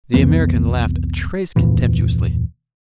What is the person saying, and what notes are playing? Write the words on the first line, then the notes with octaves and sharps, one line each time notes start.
The American laughed a trace contemptuously.
C2 F2 E3 B3
D1 F2 A#2 E3